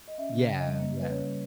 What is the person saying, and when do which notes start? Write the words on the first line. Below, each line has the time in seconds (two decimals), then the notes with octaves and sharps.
Yeah, yeah.
0.08 D#5
0.18 C#4 E5
0.33 C#3
0.49 C#3
0.59 D#5
0.64 G3
0.80 A#3 D#5
0.94 C#3
1.01 B4
1.10 C#4 C#5
1.24 G3